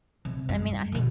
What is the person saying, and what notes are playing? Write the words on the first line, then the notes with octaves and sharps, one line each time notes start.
I mean, I think
C3
G2
B2 D3